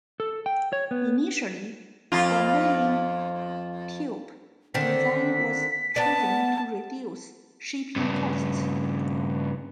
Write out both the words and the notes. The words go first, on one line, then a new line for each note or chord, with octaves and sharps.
Initially, the mailing tube design was chosen to reduce shipping costs.
A4
G5
C#5
B3
F2 F4
D3 D#3 C4 B6
B3 D5 A5
G2 C#3